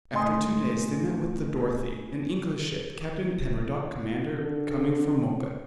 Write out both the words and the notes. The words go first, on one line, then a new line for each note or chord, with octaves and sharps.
After two days they met with the Dorothy, an English ship, Captain Penruddock, commander, coming from Mocha.
A2 D#5 G#5 C6 D#6
D3